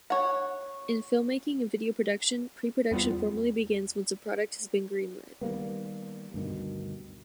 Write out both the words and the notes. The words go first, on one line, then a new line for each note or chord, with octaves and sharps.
In filmmaking and video production, pre-production formally begins once a project has been greenlit.
C#5 F#5
E2 G3 B3 C4 F4
D#3 G3 A#3 B3
D2 G2 B2 D#3